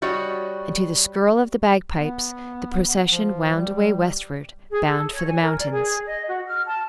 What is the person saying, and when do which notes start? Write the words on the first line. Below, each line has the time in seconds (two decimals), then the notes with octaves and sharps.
And to the skirl of the bagpipes the procession wound away westward bound for the mountains.
0.02 G3 F#4 C#5 D#5
1.96 B3
3.11 F3
3.55 G3
4.71 G#4
4.88 A4
5.13 C#5
5.27 G#5
5.43 A#4
5.59 D5
5.72 G#4
6.06 D#5
6.27 F#4
6.47 F6
6.66 A5